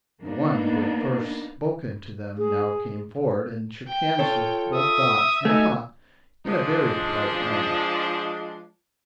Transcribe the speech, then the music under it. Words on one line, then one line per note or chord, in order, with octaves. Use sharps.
The one who had first spoken to them now came forward and shook hands with both Dot and Tot in a very polite manner.
A#3 B3 D4 D#4
G#4
G5
F4 A4 C#5
E5 D#6
A3 B3 D#4 F#4 G#5
F3 G#3 D4